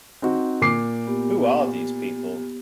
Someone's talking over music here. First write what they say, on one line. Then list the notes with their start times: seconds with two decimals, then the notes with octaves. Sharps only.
Who are these people?
0.22 C4 D#4 F#4
0.62 A#2 D6 C7
1.07 B3 G4